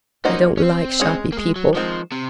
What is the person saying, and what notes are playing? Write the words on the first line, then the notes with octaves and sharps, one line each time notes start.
I don't like shoppy people.
A#3 C#4 D#4 F#4 C5 D#5
C#4
C4
G#3 C#4 G#4 C#5
A#3
G#3
F#3
D#3 F3 G#3 C4
C3